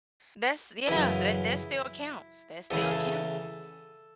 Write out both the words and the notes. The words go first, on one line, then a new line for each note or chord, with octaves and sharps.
That's yeah, that that still counts, that still counts.
F#2 C#3 E3 E4
E2 C#3 E3 A3 A4
G#4
A4